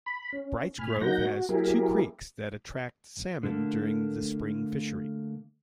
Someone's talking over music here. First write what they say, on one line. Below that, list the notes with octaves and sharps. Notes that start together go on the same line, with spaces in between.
Brights Grove has two creeks that attract salmon during the spring fishery.
B5
C#4
A2 G#5 B5 F6
F#3 A#3 D#4 F#5 G6 A#6
F#4
F#3 A#3 E4 G4 G#4 A#4
D3 A3 A#3